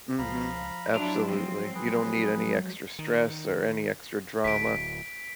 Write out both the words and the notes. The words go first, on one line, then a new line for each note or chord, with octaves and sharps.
Mhm, absolutely, you don't need any extra stress or any extra drama
C#2 F3 F5 A#5 B5
F#3 D4 E4 F4 D5 A#5
F3 G#3 C4
G#4 B4
F#3
D#3
D1 B6 D7